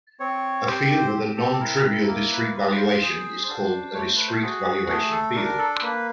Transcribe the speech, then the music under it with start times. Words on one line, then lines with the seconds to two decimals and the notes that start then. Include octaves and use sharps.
A field with a non-trivial discrete valuation is called a discrete valuation field.
0.20 C4 C#5
0.67 G4 C5
1.13 C4
1.37 A4
1.60 E4 A#4
1.83 A#4
2.07 A#3 A#4
2.31 B4
2.54 F4 B4
2.77 C5
3.01 G#4 C5
3.47 D4 C5
3.94 A3 C#5
4.05 C5
4.16 B4
4.28 C5
4.42 F#4 G#4
4.88 A3 G#4
5.11 A4
5.35 D4 A#4
5.58 A4
5.82 A#3 B4